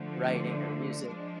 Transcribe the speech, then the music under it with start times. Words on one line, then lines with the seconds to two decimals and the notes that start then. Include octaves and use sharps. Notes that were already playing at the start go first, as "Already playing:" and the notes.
writing, or music?
Already playing: D3 F3 A3
1.05 F3 G#3 D4